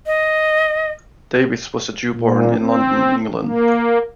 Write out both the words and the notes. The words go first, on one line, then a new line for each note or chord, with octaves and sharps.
Davies was a Jew born in London, England.
D#5
A#2
C4
A#3